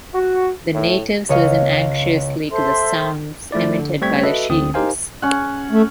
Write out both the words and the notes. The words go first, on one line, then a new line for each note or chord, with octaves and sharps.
The natives listen anxiously to the sounds emitted by the shields.
F#4
A2
C#2 C#5 D#5 F5
A4 C5 E5 C6
F3 A3 E4 D5
D3
G3 A3 C4 C#6 G#6 B6
F#4 A4 B4 D#5 E5
D2 D3 C4 D#6
D#4 G4 A#4 C5 F5 G#5
C#4 F#5
A3